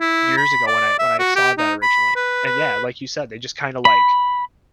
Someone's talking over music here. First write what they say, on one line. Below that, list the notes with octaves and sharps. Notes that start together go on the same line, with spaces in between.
years ago when I when I saw that originally. And yeah, like you said, they just kinda, like,
E4
B5
D5
E5
F#4
G4
D#4
B5
B4
B4
B5